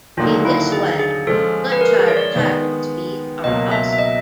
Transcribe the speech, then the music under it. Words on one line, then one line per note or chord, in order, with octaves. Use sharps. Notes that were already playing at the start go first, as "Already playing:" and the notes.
In this way, much higher typing speeds are possible.
D#2 D3 F#3 A#3 D#4 F4
E4
G#4
G#4
F3 G#3 C#4 A4
B4
A#4
G#4
C#5
D5
D#3 G#3 B3
C#2 B2 F#3 A#3 D#5
E5
E5
D#5